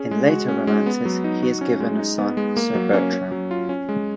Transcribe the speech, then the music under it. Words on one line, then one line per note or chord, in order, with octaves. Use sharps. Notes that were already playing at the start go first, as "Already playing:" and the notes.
In later romances he is given a son, Sir Bertram.
Already playing: C#4 G#4
G#3
F#4
C#4
G#3
B3
F#3
D#4
F#4
C#4
G#3
D#4
B3
G#3
A#3
F#3
C#4
C#4
F#3
F4
C#4
G#3